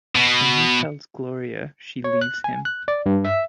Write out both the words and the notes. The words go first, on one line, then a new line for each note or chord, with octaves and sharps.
When he tells Gloria, she leaves him.
B2
C#5
F#6
G#5
F#6
D5
G2
E5